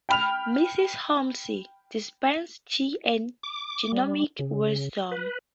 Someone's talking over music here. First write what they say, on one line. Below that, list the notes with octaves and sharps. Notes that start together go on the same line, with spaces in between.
Mrs. Holmes dispensed tea and gnomic wisdom.
G5 B5 F6 F7
D6
G3
C#3
B4